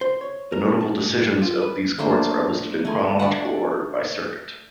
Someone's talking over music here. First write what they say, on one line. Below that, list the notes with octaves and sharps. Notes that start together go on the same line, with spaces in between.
The notable decisions of these courts are listed in chronological order by circuit.
C5
C#5
A#4
C#4
A5
A3
G#2
G3
F4
B4
A3 A#3 D4 C5
A3 G#5
D4 D5 E5 F#5